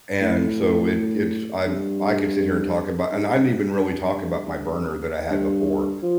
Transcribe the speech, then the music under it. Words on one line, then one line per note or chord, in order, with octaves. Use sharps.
and so, it it's I I could sit here and talk about and I didn't even really talk about my burner that I had before,
A2
G2
G2
G2
F3